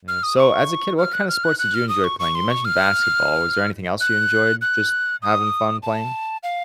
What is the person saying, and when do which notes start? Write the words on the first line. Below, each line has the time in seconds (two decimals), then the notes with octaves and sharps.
Yeah, so as a kid, what kind of sports did you enjoy playing? You mentioned basketball, was there anything else you enjoyed just having fun playing?
0.08 F6
0.23 D#6
0.38 C#6
0.98 F6
1.13 F#6
1.28 F6
1.44 F#6
1.59 F#6
1.74 F6
1.89 D#6
2.04 C#6
2.20 C#6
2.35 C6
2.50 C#6
2.65 F6
4.01 F#6
4.62 F#6
5.22 D#6
5.83 A5
6.43 F5